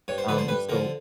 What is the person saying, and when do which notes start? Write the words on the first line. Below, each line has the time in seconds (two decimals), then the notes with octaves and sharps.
um, so
0.08 G2 C#5
0.18 C5
0.28 D3 F3 B4
0.38 C5
0.48 G2 B4
0.69 D3 A#4
0.73 F3